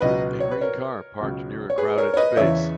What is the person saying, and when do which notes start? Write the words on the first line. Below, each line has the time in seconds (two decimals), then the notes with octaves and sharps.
A green car parked near a crowded space.
0.01 C#2 B2 F#3 B4 D#5
0.40 C#5
0.51 B4
0.61 A#4 C#5
1.20 C#2 B2 F#3
1.70 C#5
1.78 G#4 B4
1.98 A#4 C#5
2.14 C#5
2.17 B4 D#5
2.37 E2 C#3 E3 C#5 E5